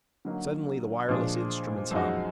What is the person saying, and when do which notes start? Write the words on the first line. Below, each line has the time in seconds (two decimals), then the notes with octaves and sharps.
Suddenly the wireless instruments hummed.
0.25 D3 F#3 A#3 D#4
1.08 A#2 F3 G#3 D4 G#4
1.91 F#2 F3 G#3 D#4 F#4